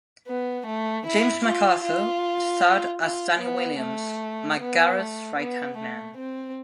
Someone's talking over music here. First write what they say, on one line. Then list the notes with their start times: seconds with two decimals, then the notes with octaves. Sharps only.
James MacArthur starred as Danny Williams, McGarrett's right-hand man.
0.28 B3
0.67 A3
1.07 E4
1.45 F4
1.84 F4
3.02 F4
3.41 B3
3.81 A3
4.60 B3
4.99 A3
5.39 B3
5.78 A3
6.17 C4